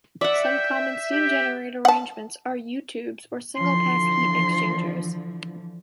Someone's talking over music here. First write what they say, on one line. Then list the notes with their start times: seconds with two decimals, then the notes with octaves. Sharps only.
Some common steam generator arrangements are u-tubes or single pass heat exchangers.
0.21 D5 E5 F#5
0.44 G5
1.12 G4
1.85 F#5 A5
3.56 D3 E3 F3 C6